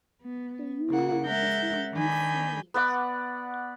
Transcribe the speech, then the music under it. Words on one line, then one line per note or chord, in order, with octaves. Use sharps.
The Union had different names through the years.
B3
C#3 A#3 F#5
G#3 A#4 E5 F#5 G6 A6
D#3 D4 G#5 B5 G6
B3 B4 D5 F#5